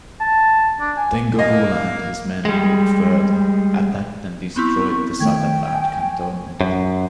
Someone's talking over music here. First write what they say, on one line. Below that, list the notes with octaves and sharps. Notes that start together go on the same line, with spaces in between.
Then Gokula and his men moved further, attacked and destroyed the Sadabad cantonment.
A5
D4
G#5
A#3 D#5
G3 G#3
B3 C4 E4 C#6
D#3 A3 G5 C#6 G#6
G#5
F#2